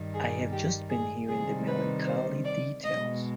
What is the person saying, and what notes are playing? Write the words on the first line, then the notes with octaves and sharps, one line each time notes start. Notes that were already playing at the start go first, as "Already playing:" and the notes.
I have just been hearing the melancholy details.
Already playing: G2 D#3 G3
G#4
G4
G#4
C3 D#3 G3 G#4
B4
C5
D5
B2 G#3 D#5